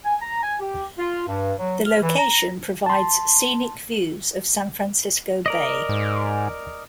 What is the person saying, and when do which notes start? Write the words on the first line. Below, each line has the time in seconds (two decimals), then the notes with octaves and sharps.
The location provides scenic views of San Francisco Bay.
0.04 G#5
0.21 A#5
0.42 G#5
0.60 G4
0.98 F4
1.27 G2
1.59 F#3
1.86 F6
2.01 E3
2.18 A#5
2.86 A5 C6
5.46 A#4 D5 D#5
5.89 G#2